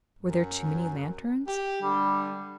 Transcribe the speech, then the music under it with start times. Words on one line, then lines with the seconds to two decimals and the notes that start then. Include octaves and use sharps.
Were there too many lanterns?
0.19 F#2
1.47 G4
1.82 D3 G3